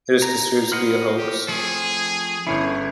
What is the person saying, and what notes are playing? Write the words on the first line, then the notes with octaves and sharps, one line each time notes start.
It is considered to be a hoax.
A#5
B4 C5 D#5 F#5 F6
G4
F3 A3 C4 G#4
G1 D3 C#4 E4 G#4 C#5